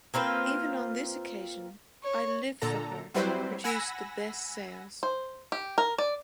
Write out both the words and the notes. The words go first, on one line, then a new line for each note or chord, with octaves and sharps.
Even on this occasion “I Live for Her” produced the best sales.
A#3 C4 F4 B4
C#5
A#2 D3 A4 A#5
F#3 G3 C4 E4 B4 C5
F#5 G#5 B5 E6 A#6
C5
G4
A#4
D5